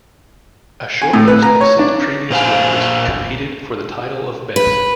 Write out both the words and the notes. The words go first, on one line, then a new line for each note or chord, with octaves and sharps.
A shortlist of six previous winners competed for the title of Best.
G#5
A2
B4
A#5
C#5
D4
A#2 C5 F5 G#5
B4